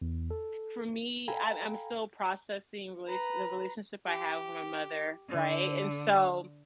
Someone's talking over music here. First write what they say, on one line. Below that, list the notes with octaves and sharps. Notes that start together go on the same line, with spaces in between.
for me, I'm I'm still processing relation the relationship I have with my mother, right, and so
E2
A4
A4 F5 G5 G#5 A#5 B5
B4 A#5
G4
D3